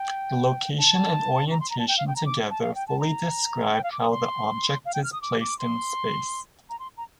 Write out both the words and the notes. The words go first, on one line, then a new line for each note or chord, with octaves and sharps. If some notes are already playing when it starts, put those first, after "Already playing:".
The location and orientation together fully describe how the object is placed in space.
Already playing: G5
A5
A#5
C6
A#5
A5
G5
F5
G5
A#5
D6
A5
F5
G5
A5
A#5
G5
F5
D6
D#6
C6
F5
G5
F6
D#6
D6
D6
C6
A#5
C6
A#5